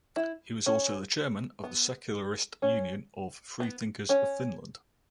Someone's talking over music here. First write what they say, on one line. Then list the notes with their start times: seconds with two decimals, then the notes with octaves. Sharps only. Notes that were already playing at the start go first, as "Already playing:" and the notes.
He was also the chairman of the secularist Union of Freethinkers of Finland.
0.16 E4
0.66 C#4
1.64 B3
2.62 C#4
3.60 B3
4.09 C#4